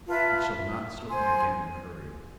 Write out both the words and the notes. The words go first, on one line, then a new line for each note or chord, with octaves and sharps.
"He shall not slip me again in a hurry."
F4 B4 E5 A5
C5 G#5 C6